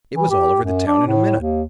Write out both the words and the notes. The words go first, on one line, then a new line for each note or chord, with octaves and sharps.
It was all over the town in a minutes.
E3
G4
F#2
D4
A2
D#2